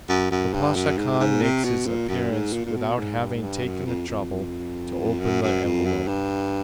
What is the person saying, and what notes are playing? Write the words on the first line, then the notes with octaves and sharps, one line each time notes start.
The Pasha Khan makes his appearance without having taken the trouble to open the envelope.
F#2
F#2
G2
F#2
G#2
G#2
C3
B2
A#2
F#2
G#2
A#2
A#2
B2
G#2
G2
G#2
G2
F#2
F2
F2
F#2
F#2
F2
F#2
G2